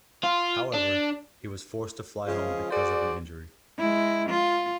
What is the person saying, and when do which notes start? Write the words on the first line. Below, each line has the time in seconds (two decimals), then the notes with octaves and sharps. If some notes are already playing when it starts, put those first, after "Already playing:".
However, he was forced to fly home because of an injury.
0.23 F4
0.74 D4
2.27 C#3 F3 G#3 F4 G#4
2.71 F#4 G#4 C5 D5
3.79 G#3 E4
4.29 F4